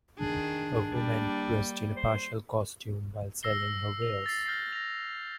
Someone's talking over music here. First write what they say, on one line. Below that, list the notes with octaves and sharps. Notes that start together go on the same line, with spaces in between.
A woman dressed in a partial costume while selling her wares.
D#3 D4 G#4
G3 A#3
C5
E6 A#6 C7 G7
F7
A6 C7
F6 G6 A#6 C7
A#6 F7